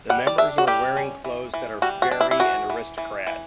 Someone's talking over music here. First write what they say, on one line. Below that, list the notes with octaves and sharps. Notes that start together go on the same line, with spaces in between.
The members are wearing clothes that are fairy and aristocrat.
G3 F#5
D5
D4 E5
F#4
G3 G4
C#4
E3
E3
G3 F#4
F#4
D4
E4
E4
E3 F#4
E3
E3
E3